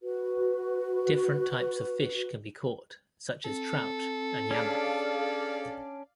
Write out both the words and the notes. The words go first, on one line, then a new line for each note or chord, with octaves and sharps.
Different types of fish can be caught such as trout and yamame.
F#4 B4
C4 A4
C#4 D4 G#4 D5 F5